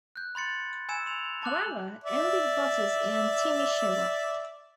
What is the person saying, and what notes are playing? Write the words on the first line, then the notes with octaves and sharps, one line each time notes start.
However, only Butters and Timmy show up.
F#6 G6
B5 C6 A6 C#7
G#5 B5 E6 G#6 C#7 E7
C6 E7 F7
A5 D6 F#6 F#7
D5 E5